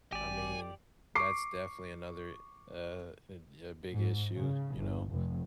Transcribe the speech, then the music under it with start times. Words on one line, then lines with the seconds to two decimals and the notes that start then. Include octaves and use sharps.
I mean, that's definitely another, uh, a a big issue, you know,
0.12 G#1 G4 D5 G#5
1.15 C#6 D6 C7
3.92 G#2
4.35 C#3
4.76 G1
5.10 F1